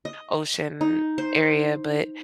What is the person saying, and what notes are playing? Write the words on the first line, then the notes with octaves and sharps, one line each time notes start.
ocean area, but
D#5
D#4
C5